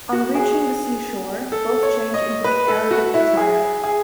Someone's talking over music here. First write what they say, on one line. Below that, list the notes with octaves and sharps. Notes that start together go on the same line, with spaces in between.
On reaching the sea shore, both change into the Arabic attire.
F#4
G#4
A4
C#5
D#5
B4
A4
F#4
E4
G#4
G#4